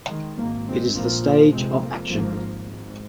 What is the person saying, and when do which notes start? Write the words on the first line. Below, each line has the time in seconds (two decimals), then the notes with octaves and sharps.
It is the stage of action.
0.09 D#3 G#3
0.37 G#1 F3 A#3
0.42 G#2
0.67 G#3 C4
0.95 A#1 A#2 F3 A#3
1.23 F3 A#3
1.52 F1 F2 C3 G#3 C4
1.81 F3 A#3
2.09 G#1 G#2 F3 A#3
2.67 G#1 G#2